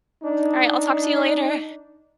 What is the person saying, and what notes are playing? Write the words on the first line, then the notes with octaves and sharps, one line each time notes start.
Alright, I'll talk to you later.
D4 D#4